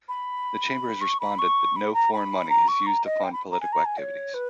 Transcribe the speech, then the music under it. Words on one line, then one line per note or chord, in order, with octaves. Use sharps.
The Chamber has responded that No foreign money is used to fund political activities.
B5
C#6
B5
C#6
B5
A#5
B5
A#5
C#6
A#5
D#5
G5
B5
A#5
G#5
A#5
G#5
C#5
B4